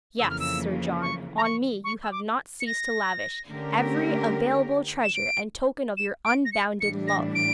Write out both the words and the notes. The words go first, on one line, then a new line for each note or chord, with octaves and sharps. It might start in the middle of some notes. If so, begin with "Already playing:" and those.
Yes, Sir John, on me you have not ceased to lavish every available treasure and token of your unbounded love.
F2 C#3 E3 A#3 E6
F6
E6
C#6
A#5
C#6
C#6
E6
D6
C#7
A#6
D3 A3 C#4 G4 A#4
E7
D7
E7
D7
A#6
C#7
A2 E3 G3 D4 C#7
A#6
D7